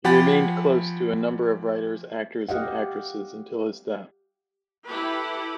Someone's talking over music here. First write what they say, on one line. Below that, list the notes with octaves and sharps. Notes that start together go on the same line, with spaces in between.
He remained close to a number of writers, actors and actresses until his death.
F3 G4 F#5 G#5 B5 A6
G4 D#5 F5 F#5
E4 G4 A4 B4